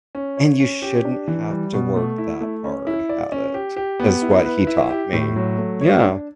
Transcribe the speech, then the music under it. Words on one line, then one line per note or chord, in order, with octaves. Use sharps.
and you shouldn't have to work that hard at it, is what he taught me. Yeah.
C#4
C#5
C#4
G4
D4
E3
G3
B2
A3
E4
A3
C#4
E4
D5
C#4
G4
G4
B3
E4
B4
E4
G4
A2
F#3
A3
C#5
D4